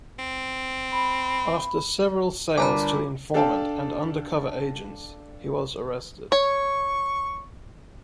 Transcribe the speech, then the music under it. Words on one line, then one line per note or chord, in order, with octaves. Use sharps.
After several sales to the informant and undercover agents, he was arrested.
C4
B5
G1 D4 A#4 G#5 A#5 B5 D6
D4 A4 F5 G5 A5
C#5 C#6